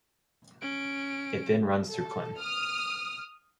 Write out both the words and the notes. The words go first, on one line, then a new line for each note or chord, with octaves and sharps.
It then runs through Clinton.
C#4 D7
A4
D#6 F6